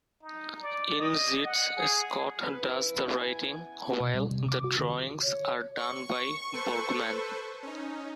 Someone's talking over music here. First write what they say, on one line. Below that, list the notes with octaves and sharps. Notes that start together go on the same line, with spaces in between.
In "Zits", Scott does the writing, while the drawings are done by Borgman.
D#4
D5
D#5
F#5
G#4
B4
E4
B3
G#5
G#6
B2
G3
C3
D6
F#4
D3
C#5
C#6
A4 B4 C5
C#4 D#4